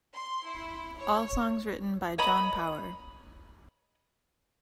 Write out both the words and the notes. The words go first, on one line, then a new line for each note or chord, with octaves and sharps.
All songs written by John Power.
C6
E4
C#5
C#5 D#5 A#5 B5